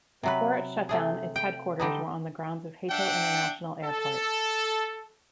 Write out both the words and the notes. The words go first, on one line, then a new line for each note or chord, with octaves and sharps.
Before its shutdown its headquarters were on the grounds of Hato International Airport.
C3 F#3 B4
C3 A3 G#4
G5
D3 G3 D#4
D4 E5 F#5 G5
A4